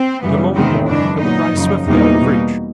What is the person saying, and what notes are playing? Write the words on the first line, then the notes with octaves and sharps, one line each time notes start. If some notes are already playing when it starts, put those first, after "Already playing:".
In a moment more it would rise swiftly out of reach.
Already playing: C4
F#2 C#3 E3 G3 B3
E2 C3 D#3 G#3 B3 C4
F#2 C#3 E3 G#3 D4
A#2 F#3 B3 D#4
F#2 C#3 F3
E2 C3 E3 G3 A#3 D#4
B2 G3 A#3